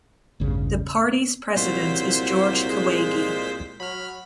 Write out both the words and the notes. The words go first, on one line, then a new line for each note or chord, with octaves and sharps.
The party's president is Jorge Kahwagi.
A1 E2 G2 C#3
C2 A#2 F#3 C5 B6
G#3
F#3 B5 F6